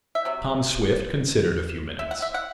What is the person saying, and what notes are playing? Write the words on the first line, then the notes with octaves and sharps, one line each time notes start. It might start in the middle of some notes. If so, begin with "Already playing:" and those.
Tom Swift considered a few minutes.
E5
C3 F#3
E5
F#5
E5
F#5